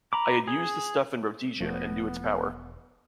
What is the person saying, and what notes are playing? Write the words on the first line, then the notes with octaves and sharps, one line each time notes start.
I had used the stuff in Rhodesia and knew its power.
A#5 B5 D6
G#4
E1 F3 A3 B3